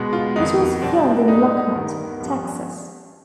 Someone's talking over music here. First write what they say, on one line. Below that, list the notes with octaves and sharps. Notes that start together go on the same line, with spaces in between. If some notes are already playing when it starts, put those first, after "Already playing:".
It was filmed in Lockhart, Texas.
Already playing: B2 G#3 B3
F4
F2 D#3 B3 D#4
B2 G3 B3 C4
D4
G#2 G3 B3 D#4
G2 D#3 B3
G2 F3 B3